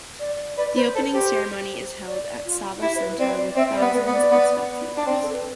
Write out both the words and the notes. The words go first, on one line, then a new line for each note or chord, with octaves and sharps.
The opening ceremony is held at Sava Centar with thousands of spectators.
D5
B4 D5
B4 C5
A4 C5
G4 C5
D5
F4
F4
E4 G4
C5
B4
C4 D5
D5
D5
C4 E5
D5
B3
B4
B3
D5
B3
D4
C4 D5
A4
B4